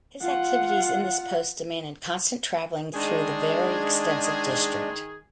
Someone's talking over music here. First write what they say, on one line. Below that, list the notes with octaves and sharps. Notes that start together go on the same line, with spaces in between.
His activities in this post demanded constant travelling through the very extensive district.
F4 F#5
D#3 G#3 D4 G#4